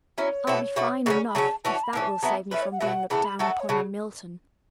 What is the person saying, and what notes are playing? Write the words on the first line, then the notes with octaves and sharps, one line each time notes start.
I'll be fine enough, if that will save me from being looked down upon in Milton.'
F#3 C#4 E4 C#5
B2 B3 E4 A4
B2 A3 F#4
C#3 F#3 A3 C#4
B5
C#3 F#3 A3 C#4 A5
E3 C#4 F#4 A5
A5
B5
A2 E3 C#4 A5
F#3 B3 E4 B4
A3 C#4 E4 B4 E5
C#5
F#5
B2 F#3 A3 F#4 E5
F#5
C#3 E3 B3 A4 A5
B5
F#3 A3 F#4 A4 A5
F#5
C#5
C#3 F#3 A5